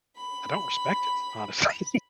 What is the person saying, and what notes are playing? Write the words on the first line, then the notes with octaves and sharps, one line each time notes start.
I don't respect it, honestly,
B5